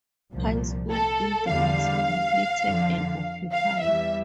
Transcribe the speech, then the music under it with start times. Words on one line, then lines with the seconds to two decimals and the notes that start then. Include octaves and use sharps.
High School building was completed and occupied.
0.32 C2 A#2 F3
0.91 A4
1.49 E2 D3 G3 F5
2.65 F2 D3 F3
3.52 F5
3.81 E2 E3 G3 E5